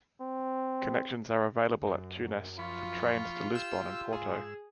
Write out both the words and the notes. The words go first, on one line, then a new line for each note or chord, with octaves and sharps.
Connections are available at Tunes for trains to Lisbon and Porto.
C4
F#2
F3 F4 B5 C#6
G4 E6
G#2 G#4 E6